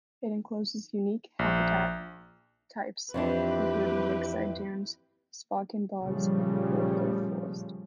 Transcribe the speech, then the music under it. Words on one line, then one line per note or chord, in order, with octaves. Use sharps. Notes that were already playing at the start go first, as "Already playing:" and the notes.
It encloses unique habitat types including lakeside dunes, sphagnum bogs, and old-growth forest.
A#1
F2 E3 C4 D4 G4 B4
A#2 C#3 F3 G3 A3